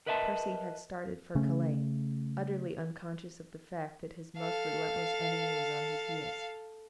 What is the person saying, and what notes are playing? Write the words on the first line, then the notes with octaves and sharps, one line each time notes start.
Percy had started for Calais, utterly unconscious of the fact that his most relentless enemy was on his heels.
A#4 B4 D#5 E5 G#5 A5
C#3 A3 C#4
A4 F5